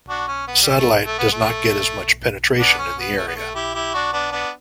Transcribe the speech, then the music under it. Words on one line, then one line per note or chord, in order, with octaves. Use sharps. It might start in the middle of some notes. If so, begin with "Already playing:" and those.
Satellite does not get as much penetration in the area.
D4 F#4
C#4
B3
G3
A3
A3
B3
A3
B3 D4
C#4
B3
A3
B3
A3
E4 G4
E4 G4
D4 F#4
B3 D4
B3 D4